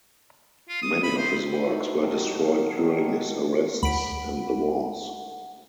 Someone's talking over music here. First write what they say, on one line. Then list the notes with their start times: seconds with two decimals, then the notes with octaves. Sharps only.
Many of his works were destroyed during his arrests and the wars.
0.68 F4
0.82 D#6
1.03 B5
1.18 C5
1.62 D#4 E4 F#4 A4 B4 C5
1.98 A#2 D#3 F#3 G#3 G4 A4
3.83 D2 F#5 B5 D7